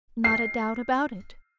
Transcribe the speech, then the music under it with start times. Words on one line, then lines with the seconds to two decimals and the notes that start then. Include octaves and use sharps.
"Not a doubt about it."
0.24 C7